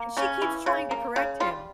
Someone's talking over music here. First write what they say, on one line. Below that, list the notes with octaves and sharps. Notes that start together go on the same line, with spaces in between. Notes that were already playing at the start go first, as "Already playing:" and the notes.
And she keeps trying to correct him,
Already playing: A#3
C#3 C#4
E3
C#3
A#3
C#3
G3 F4